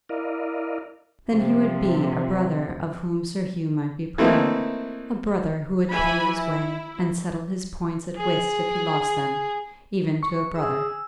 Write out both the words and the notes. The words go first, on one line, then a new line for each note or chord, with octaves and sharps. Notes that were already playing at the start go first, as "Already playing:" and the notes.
Then he would be a brother of whom Sir Hugh might be proud--a brother who would pay his way, and settle his points at whist if he lost them, even to a brother.
E4 A#4 D5 D#5 F5
C3 F3
E3 A3 A#3 C4 D#4 E4
E3 E4 G#5 B5
E4
G#4
C#6
G#4 E6